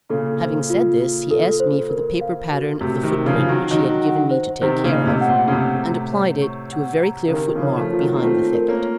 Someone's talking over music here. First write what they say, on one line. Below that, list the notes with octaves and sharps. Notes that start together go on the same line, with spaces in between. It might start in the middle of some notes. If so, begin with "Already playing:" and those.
Having said this, he asked me for the paper pattern of the footprint which he had given me to take care of, and applied it to a very clear footmark behind the thicket.
A#2 C#3 A4
C5
F4
F4
A4
C5
A#4
F5
F#4
A2 C3 F#4
C3 D#3
A#4
C#3 F3
F5
D#3 F#3
D#3 F#3 D#5
F#5
C5
C3 D#3 C5
A#2 C#3
D#5
A2 C3
F#5
A#2
C#3
A2 C3 F#5
A#5
C#5
C#6
F#5
A#5
C#3
C3 D#3 A#4
C#3 F3
C#5
F3 A3
F3 F4
D#3 F#3
A#3
A3 C4 F4
A#4
A#3 C#4
C#5